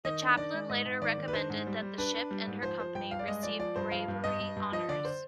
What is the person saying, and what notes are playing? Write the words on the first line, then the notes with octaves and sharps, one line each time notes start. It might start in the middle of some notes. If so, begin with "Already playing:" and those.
The chaplain later recommended that the ship and her company receive bravery honours.
D#3 D#5
D4
D#3 D5
G#3
G#2 D#5
G#2
D#3 D5
D#3
B4
D4 C5
G#2
G3
G3
D4 B4
D4
G3
G#2
F3 C5
F3 C5
G2 G5
G2 F5
D5
G#3 D#5
F3 D5
F3 D5
G2 C5
F3 F5
G2
G2 D#5
G2
G2
F3 D#5
D3 D5
C5